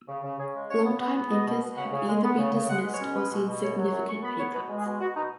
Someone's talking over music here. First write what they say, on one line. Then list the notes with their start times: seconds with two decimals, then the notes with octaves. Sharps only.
Longtime anchors have either been dismissed or seen significant pay cuts.
0.08 C#3
0.23 C#3
0.39 C#3 G#4
0.54 G#3
0.70 C#3 C#5
0.84 B3
1.00 B3
1.16 B3
1.31 B2 D#5
1.47 B2
1.62 B2
1.77 C#3 F#5
1.93 C#3
2.08 G#3
2.23 B3
2.38 C#3
2.54 C#3
2.70 G#3 F#5
2.85 B2
2.93 C#5
3.00 C#4
3.15 G#3 B4
3.31 B2
3.47 B2
3.62 F#2 C#5
3.78 F#3
3.85 C#5
3.92 F#2
4.09 F#2 C#6
4.23 B3 B5
4.39 F#3 C#5
4.54 B2 B4
4.69 G#3
4.77 G#4
4.85 B2
5.01 B2 F#4
5.16 B2 D#4